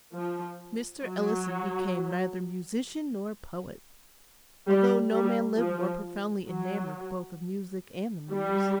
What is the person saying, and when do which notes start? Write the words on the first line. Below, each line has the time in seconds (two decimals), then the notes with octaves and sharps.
Mr. Ellison became neither musician nor poet; although no man lived more profoundly enamored both of Music and the Muse.
0.14 F3
1.04 F#3
4.67 G3
5.12 G3
5.57 F3
6.48 F#3
8.30 G3